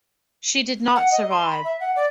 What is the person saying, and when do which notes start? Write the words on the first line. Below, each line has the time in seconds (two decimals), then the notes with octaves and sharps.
She did not survive.
0.95 F#5
1.12 D#5
1.31 C6
1.51 B5
1.64 E5
1.80 F#5
1.96 D5